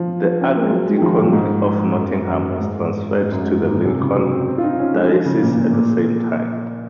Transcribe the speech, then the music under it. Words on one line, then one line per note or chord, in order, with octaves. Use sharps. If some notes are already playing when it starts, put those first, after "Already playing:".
The Archdeaconry of Nottingham was transferred to the Lincoln diocese at the same time.
Already playing: F3
C#4
C4
A#3
G#3
F#3
G#3
D#3
F3
A#2
G#2
F#2
F#2
G#2
G#2
F#2
G#2
G#2
C3
C#3
F#3
C4
C4
F4
D#4
C#4
G#3
F3
C#3
A#2
A#2
A#2